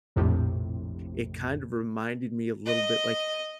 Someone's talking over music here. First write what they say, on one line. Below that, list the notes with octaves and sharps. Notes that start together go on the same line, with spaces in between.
it kind of reminded me a little bit, like
A#1 F2 A2 C3
D#5